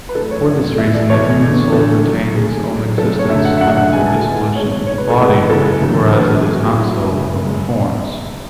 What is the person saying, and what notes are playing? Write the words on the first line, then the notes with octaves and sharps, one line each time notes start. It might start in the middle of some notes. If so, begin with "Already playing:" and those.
For this reason the human soul retains its own existence after the dissolution of the body; whereas it is not so with other forms.
B4
F#2 E3 A3 A4
C#5
F#2 E3 A3 D5
E2 B2 A3 E5
D5
E2 B2 A3 C#5
E2 D3 A3
E2 D3 A3 A4
G#2 F#3 A3
G#2 F#3 A3 G#4
G#2 F#3 A3
G#2 F#3 A3 A4
C#5
F#2 D3 A3 E5
F#5
E5
F#2 D3 A3 F#5
F#5
B2 G#3 G#5
A5
G#5
B2 G#3
G#2 G#3 C#5
C#5
G#2 G#3 C#5
B4
A4
F#2 C#3 E3 G#3 B4
F#2 C#3 E3 G#3 A4
E2 D3 F#3 A3
E2 D3 F#3 A3 B4
A4
B2 F#3 A3 G#4
F#4
F#4
B2 F#3 A3 E4
F#2 C#3 G#3
F#2 C#3 G#3